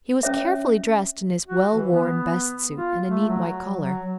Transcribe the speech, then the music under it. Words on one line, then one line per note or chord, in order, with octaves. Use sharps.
He was carefully dressed in his well-worn best suit and a neat white collar.
C#4 C#5 E5
F#4
E3
B3
F4
A3
F#3
F#3